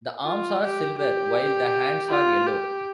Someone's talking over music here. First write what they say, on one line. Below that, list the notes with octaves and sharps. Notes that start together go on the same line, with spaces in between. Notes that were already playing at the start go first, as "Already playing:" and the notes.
The arms are silver, while the hands are yellow.
F4
G4
G4
F4
G4